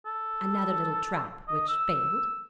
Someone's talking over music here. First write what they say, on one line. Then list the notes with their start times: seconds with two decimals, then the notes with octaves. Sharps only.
Another little trap which failed.
0.06 A4
1.48 D#5
1.68 E6